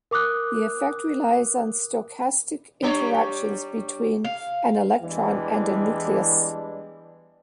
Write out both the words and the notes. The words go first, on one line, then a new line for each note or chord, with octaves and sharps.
This effect relies on stochastic interactions between an electron and a nucleus.
A#4 D6 D#6 F#6
G3 D4 C#5
F5
E2 E3 G3 G#3 D4